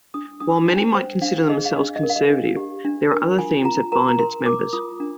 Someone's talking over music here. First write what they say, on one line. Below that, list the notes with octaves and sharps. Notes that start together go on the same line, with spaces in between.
While many might consider themselves conservative, there are other themes that bind its members.
D4 D#6
D4 D#6
C5 G#5
C5 G5
D4 F5
G#4 D#5
F5
D4 D#5
D#5
A#4
F5
D#5
D4
G4
D4
A#4
F4 G#5
F4 A#5
A#4 A#5
A#5
A#4 C6
A#4 D6
F4 D#6
D4